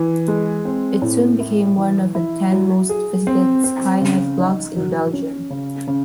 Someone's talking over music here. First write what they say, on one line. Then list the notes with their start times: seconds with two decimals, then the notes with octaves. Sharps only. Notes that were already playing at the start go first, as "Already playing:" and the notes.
It soon became one of the ten most visited Skynetblogs in Belgium.
Already playing: E3
0.28 G#3
0.65 C4
1.02 A2
1.40 E4
1.77 E3
2.15 E4
2.52 F#3
2.89 G#4
3.27 C4
3.64 C4
4.02 C#3
4.39 D#4
4.76 F#3
5.13 C#4
5.50 C#3
5.88 C#3